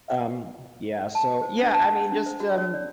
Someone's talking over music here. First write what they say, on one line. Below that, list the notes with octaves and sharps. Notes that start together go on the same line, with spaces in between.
um yeah, so yeah, I mean, just, um,
A5
C5
D4
A5
F#5
D4
C5
F#4
C#5
D5